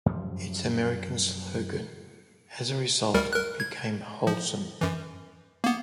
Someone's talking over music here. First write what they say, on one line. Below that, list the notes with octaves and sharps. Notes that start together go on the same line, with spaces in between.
Its American slogan, as a result, became Wholesome?
F#2 F3 G3
D2 G3 A#4
A#4 F#6
G#6
F3
F#2 E3
A#3 B3